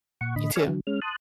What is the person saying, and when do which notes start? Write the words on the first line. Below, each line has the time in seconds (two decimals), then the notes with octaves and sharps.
You too.
0.21 A#2 F#5 C#6
0.36 A2 D3 D#5 B5
0.56 C#5 D5 G#5 C#6 E6 F6
0.67 D3 F#3
0.87 G#3 C#4 F6
1.02 A5 C6 D#6 F#6